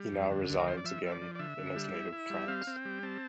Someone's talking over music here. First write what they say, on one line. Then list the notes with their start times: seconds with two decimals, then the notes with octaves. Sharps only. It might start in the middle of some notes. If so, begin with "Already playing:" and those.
He now resides again in his native France.
Already playing: G3
0.12 F2
0.31 D3
0.49 D2
0.59 A#4
0.67 F3 C5
0.77 D5
0.84 F3 E5
1.03 F3 E5
1.12 D5
1.21 F3
1.35 D5
1.39 D3 E5
1.58 D3
1.76 G3
1.94 E4
2.13 E4
2.30 G3
2.48 C4 F5
2.67 C4
2.76 G5
2.85 G3
3.03 C4 A5